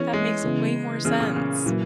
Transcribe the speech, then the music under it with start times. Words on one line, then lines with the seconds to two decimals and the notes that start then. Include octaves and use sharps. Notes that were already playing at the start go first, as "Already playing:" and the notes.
that makes way more sense.
Already playing: E3 B3 C#4 E4 G#4
0.13 G#3
0.44 C#3 E3 B3 E4
1.05 C#3 E3 B3 E4 G#4
1.20 A#2
1.36 C#3
1.66 A#2 E3 F#3 A#3